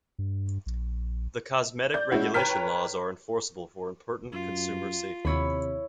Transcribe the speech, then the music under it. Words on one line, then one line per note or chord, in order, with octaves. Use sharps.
The cosmetic regulation laws are enforceable for important consumer safety.
G2
A#1
D5 G6
G#3 C#4 E4 F#4
B4 C#5 G5 A#5 F6 B6
F#2 F4
D#2 C3 E4 C#5 B5